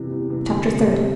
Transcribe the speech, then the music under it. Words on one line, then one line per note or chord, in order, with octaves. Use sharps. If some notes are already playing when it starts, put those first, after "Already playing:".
Chapter XXX.
Already playing: E2 C3 E3 G3
E2
C3 E3 G3
D2
C3 G3
D2